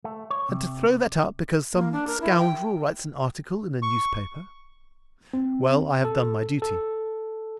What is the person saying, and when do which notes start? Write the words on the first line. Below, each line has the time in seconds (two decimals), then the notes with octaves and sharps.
And to throw that up because some scoundrel writes an article in a newspaper! Well;--I have done my duty.
0.04 A3
0.30 C#5
0.49 C3
1.74 A#3
1.92 D4
2.07 A#4
2.21 E4
2.38 G5
3.83 C#6
5.34 C4
6.04 A4
6.62 A4